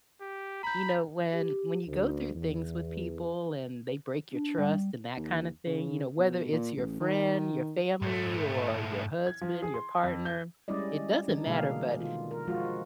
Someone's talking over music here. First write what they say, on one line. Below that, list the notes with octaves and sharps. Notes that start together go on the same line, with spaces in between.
you know, when when you go through things with people and they break your trust and that kinda thing, you know, whether it's your friend, your family, or your husband, your partner, it doesn't matter, but
G4
A#5 B5 G6
G4
D2
E2
D4
G3
D#2
C#3
B2
A#2
A1
D#3
G#2 A3
G#6
F3
G#4
C6
F2
G6
G3 G#3 C#4 E4 D5 D#5
E3 D4 D#4
B2 D3 G#3 A#3 G#4 F5
D#3 F4
A#4
F3 G#3 F4 F#4